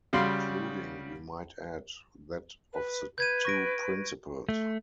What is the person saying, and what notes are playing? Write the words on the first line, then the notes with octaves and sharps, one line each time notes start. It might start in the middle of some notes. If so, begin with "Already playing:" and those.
Including, we might add, that of the two principals.
C#3 G3 F#4 F5 C6
B4
B4 G6 G#6 D#7
C#6 A#6 D7
A3